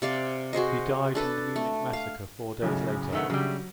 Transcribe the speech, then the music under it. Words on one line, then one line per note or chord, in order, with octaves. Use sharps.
He died in the Munich massacre four days later.
C3 D5 F5
F#4 G#4 C5 D#5
D4 A4 B4
A3
F5
B1 A2 C#3
D#3 A3 B3
C#3 F#3 G3